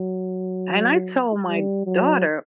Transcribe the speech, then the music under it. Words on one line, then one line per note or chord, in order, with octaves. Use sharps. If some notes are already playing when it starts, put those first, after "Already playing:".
And I told my daughter,
Already playing: F#3
G3
F#3